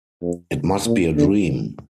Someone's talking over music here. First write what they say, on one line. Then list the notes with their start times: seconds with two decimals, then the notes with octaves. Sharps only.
It must be a dream!
0.22 F2
0.85 A#2
1.16 D3